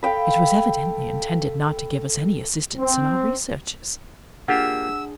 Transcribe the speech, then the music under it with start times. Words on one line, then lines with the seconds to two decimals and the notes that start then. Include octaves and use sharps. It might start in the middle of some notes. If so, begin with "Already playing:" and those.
It was evidently intended not to give us any assistance in our researches.
0.03 A4 F5 G5 B5
2.78 C4
4.48 A#3 D4 F4 G4 G#4 F#5 E6